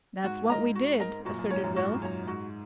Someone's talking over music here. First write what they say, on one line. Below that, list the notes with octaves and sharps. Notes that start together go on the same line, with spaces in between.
"That's what we did," asserted Will.
G#2 F#4
G#2 A#4 D#5 A#5
F#4
A#4 D#5 A#5
F#2 A#2 F#4
F#2
G#2 C#5 A#5
F#2 A#2
G#2 F#4
F#2 C#5 A#5
G#2 F#4